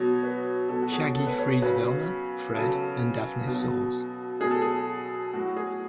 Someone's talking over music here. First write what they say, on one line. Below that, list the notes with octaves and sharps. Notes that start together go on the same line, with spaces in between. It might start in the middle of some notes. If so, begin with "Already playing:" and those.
Shaggy frees Velma, Fred, and Daphne's souls.
Already playing: B2 F#3 C#5
B4
B2 F#3 A4
F#4
G#4
A4
B4
C#5
C#3 F#3 B4
C#3 F#3 A4
B2 F#3
B2 F#3 G#4
A4
G#4
A2 F#3 F#4
G#4